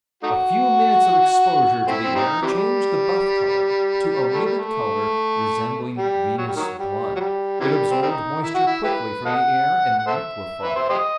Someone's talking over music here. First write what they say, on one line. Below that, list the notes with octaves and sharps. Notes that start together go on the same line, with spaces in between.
A few minutes of exposure to the air changed the buff color to "a livid color resembling venous blood." It absorbed moisture quickly from the air and liquefied.
A3 D#4 F#4
A3 C4 E4
C4
G3 C4 D#4
C3 E3 G3
A3
G3
A3
G3
F#3
G3
D#3 F#3
G3
F#3
G3
C3 E3 G3
C4
G3 C4 D#4
E4
F#4
E4
E4 G4 B4
A4 D#5 F#5
F#5
A4 C5 E5
B4
C5
G4 C5 D#5